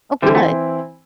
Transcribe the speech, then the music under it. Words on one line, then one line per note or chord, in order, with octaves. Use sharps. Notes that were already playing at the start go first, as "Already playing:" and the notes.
Oh, good.
D3 E3 G3 C4 E4
A3